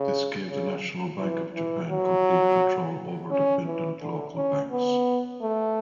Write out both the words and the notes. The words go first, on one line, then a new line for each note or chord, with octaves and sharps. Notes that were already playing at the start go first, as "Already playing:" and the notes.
This gave the national Bank of Japan complete control over dependent local banks.
Already playing: C#3
C#3
E3
E3
F#3
C#4
E3
D3
C#4
B3
A3